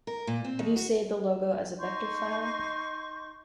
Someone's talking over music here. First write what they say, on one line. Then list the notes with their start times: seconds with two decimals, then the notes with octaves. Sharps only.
Have you saved the logo as a vector file?
0.07 A#4
0.27 A#2
0.44 C4
0.59 D#2
0.76 F#4
1.78 D#4 C6 C#6 G6